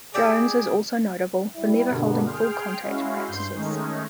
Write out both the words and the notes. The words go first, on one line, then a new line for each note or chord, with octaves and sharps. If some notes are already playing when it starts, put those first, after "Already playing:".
Jones is also notable for never holding full-contact practices.
E4 G4 G#4 D5
G3 E4
G2 B2 D3 A#3 B3 D4
G#4 G5 C6 F6
G#3 C#4 E4 F#4 F5
G2 C6 G6
D#3 G#3 A3 C#4 D#4